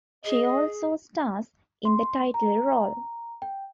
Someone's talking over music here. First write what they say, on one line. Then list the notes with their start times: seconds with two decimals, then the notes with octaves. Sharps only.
She also stars in the title role.
0.25 G#4 D#5
1.85 C6
2.34 A#5
3.42 G5